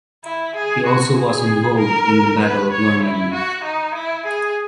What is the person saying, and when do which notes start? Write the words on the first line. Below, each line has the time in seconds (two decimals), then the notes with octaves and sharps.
He also was involved in the Battle of Normandy.
0.24 E4
0.56 G#4
0.86 F#4
1.17 G#4
1.79 A#4
2.40 B4
2.72 C#5
3.01 E4
3.33 F#4
3.63 D#4
3.94 E4
4.26 G#4